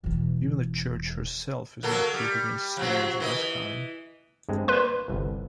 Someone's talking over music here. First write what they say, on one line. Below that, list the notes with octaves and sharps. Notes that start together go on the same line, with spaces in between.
Even the Church herself is not proof against snares of this kind.
E1 E3
F#3 A#3 A4
G3
F3 F#3 C4
E3 B4 D#5
G2 G#3 C4
A#3 B4 D5 C6
G1 C2